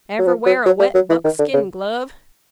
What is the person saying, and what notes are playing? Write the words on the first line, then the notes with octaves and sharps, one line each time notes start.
Ever wear a wet buckskin glove?
F#3
F3
F#3
F#3
G3
F#3
E3
D#3
D3
C#3